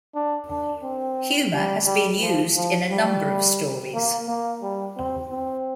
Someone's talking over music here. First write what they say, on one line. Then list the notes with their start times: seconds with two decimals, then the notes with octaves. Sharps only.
Humor has been used in a number of stories.
0.15 D4
0.49 D4
0.83 C4
1.52 G3
1.86 G3
2.21 F3
2.55 F3
2.90 G3
3.94 A#3
4.28 A#3
4.62 G3
4.97 C4
5.31 C4